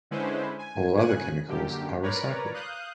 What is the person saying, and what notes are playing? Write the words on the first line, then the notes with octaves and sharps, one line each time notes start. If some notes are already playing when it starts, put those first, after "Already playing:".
All other chemicals are recycled.
D3 G#3 C#4 E4 B4 C5
G#5
C#3 G#5 F#6
F#2 D3 A#3 G4
A#4 B4 C#5 D5 A#5
F5 D#6 F#6 G6